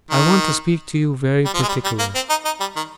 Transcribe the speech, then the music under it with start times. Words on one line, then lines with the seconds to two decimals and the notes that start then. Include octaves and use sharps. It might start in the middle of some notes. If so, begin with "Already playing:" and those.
'I want to speak to you very particularly.
0.11 D#3
1.45 G3
1.54 F3
1.62 G#3
1.68 G3
1.84 G3
1.99 A#3
2.15 C4
2.30 D#4
2.45 D#4
2.60 G3
2.76 D#3